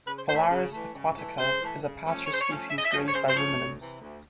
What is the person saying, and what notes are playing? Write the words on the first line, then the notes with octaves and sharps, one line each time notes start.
"Phalaris aquatica" is a pasture species grazed by ruminants.
C#3 B4
C5
E3 A3 C5
C#5
C#3
E3 A3
C#3
E3 A3
C#3 C5
E3 A3
C#3
F3 A3 C#4
C#3 C#5
C5
C#5
F3 A3 C#4
C#3 E5
D#5
E5
F3 A3 C#4 D#5
C#5
C#3 C5
C5
F3 A3 C#4 C#5
D2
C3 E3
D2